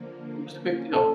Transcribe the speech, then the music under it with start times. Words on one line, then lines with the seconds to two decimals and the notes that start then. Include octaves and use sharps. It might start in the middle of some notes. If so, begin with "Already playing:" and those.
It was a big deal.
Already playing: D3 F3 A#3
0.50 F3 A#3 C#4
0.93 A4